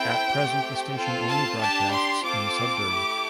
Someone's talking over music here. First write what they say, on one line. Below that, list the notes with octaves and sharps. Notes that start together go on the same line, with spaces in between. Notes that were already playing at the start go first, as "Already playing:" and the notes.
At present, the station only broadcasts in Sudbury.
Already playing: C4 E4 A4 G5
A3 C4 G4
C4 F4 A4
A5
D4 G4 A5
C6
C4 F4 A4 D6
A3 E4 G4